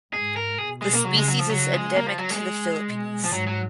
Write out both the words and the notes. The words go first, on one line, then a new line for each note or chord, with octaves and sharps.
The species is endemic to the Philippines.
G#2 G#4
A#4
B2 G#4
G#3
A#3
C#3 F#3
G#3
F#3
F3
C#3 F#3
G#3
A#3
F3
F#3
G#3
B2
F3
G#2 F#3
F#3